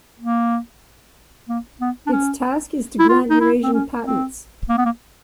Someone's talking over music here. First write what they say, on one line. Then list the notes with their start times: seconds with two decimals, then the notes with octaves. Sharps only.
Its task is to grant Eurasian patents.
0.20 A#3
1.49 A#3
1.81 B3
2.07 D4
2.12 C#4
2.99 E4
3.09 F4
3.30 D#4
3.41 E4
3.63 C4
3.73 C#4
4.06 C4
4.69 A#3
4.77 B3
4.85 A#3